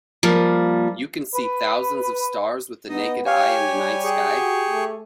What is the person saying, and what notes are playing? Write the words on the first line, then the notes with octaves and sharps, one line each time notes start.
You can see thousands of stars with the naked eye in the night sky?
F3 G3 A#3
B4
B3 D#4 D#5
G4 C#5 F5 G#5
G3
G4 G#4 C#6
F#4
A3